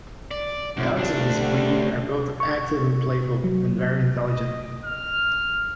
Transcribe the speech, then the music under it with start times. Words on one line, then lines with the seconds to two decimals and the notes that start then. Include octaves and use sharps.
Dogs of this breed are both active and playful, and very intelligent.
0.31 D5
0.77 F#2 A2 C3 F3
0.96 D2 D4
1.37 G3 A3 F#4
1.52 C3 C#5 C6
2.40 C#6
3.44 F#3
4.27 D#5
4.85 F6